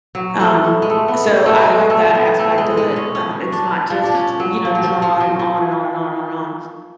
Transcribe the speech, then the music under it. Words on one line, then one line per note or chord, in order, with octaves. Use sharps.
Um, so, I like that aspect of it, um, it's not just, you know, drawn on and on and on and on and on.
F#3
A3
B3
G#3
A3
B3
C#4
A3
F#3
A3
B3
A3
G#3
G#3
C#4
C#4
D4
F3
D4
C#4
F#3
F3
F#3
F3
F3
F#3
F3